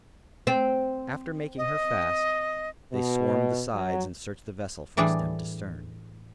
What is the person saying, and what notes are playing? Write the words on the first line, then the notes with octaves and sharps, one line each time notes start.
After making her fast, they swarmed the sides and searched the vessel from stem to stern.
C4
D#5
B2
F#3
A2 E3 G3 D4 G#4